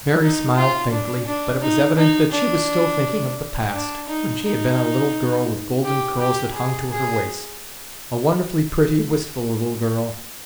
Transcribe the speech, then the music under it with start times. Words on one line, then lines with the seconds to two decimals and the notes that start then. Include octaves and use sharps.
Mary smiled faintly but it was evident that she was still thinking of the past, when she had been a little girl with golden curls that hung to her waist; a wonderfully pretty, wistful little girl.
0.21 D#4
0.56 F4
0.91 D4
1.26 D4
1.62 D#4
1.97 D#4
2.32 D4
3.73 D4
4.08 D#4
4.44 D#4
5.84 G4
6.20 G4
6.55 G#4
6.91 G#4